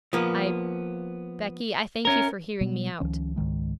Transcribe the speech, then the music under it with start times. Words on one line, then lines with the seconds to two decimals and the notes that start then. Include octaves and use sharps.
'I--Becky, I thank you for hearing me out.'
0.13 F3 A#3 B3
2.05 C#4 A#4
2.61 B2 G3 B3
3.00 C#2 D#3 F3 C#4
3.36 C#2 G#2 D#3 G#3